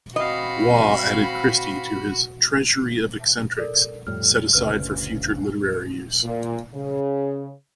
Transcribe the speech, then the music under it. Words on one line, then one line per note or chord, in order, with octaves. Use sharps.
Waugh added Christie to his "treasury of eccentrics", set aside for future literary use.
C4 F#4 D#5 F5 B5
A4 A#4 D5
F2 A2 G3 F6
F#1 D2 C#3 B4 F6
A#2
C#3